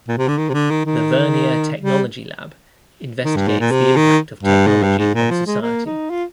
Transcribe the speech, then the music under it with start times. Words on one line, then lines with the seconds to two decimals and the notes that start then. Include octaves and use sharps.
The Vernier Technology Lab investigates the impact of technology on society.
0.08 A#2
0.18 C3
0.28 D3
0.38 D#3
0.49 C3
0.54 D3
0.70 D#3
0.86 D#3
1.81 G3
3.24 D#3
3.36 G2
3.48 G#2
3.60 A#2
3.71 C3
3.96 D#3
4.43 G2
4.67 G#2
4.83 G2
4.99 G#2
5.15 A#2
5.31 F3
5.47 G#3
5.62 A#3
5.86 D#4
6.10 F4